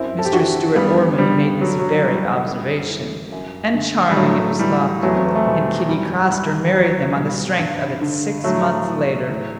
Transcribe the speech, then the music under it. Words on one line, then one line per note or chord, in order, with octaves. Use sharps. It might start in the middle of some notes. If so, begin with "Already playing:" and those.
Mr. Stuart Ormond made this very observation; and charming it was thought; and Kitty Craster married him on the strength of it six months later.
Already playing: F#2 C4 E4
A4
G4
E3 D4 F#4
G2 G3 B3
D3 G3
G2 F#3
F#3
F#3
E3 G3
F#2 G3
E3
F#2
D3
G3
A2 F#3 A3
E3 G3
E2 F#3 A3
C4
B3
A3
B2 G3
F#2 G3
E3 G3
E2 F#3
B2 G3
G2
D3
A2 F#3 A3
E3
A2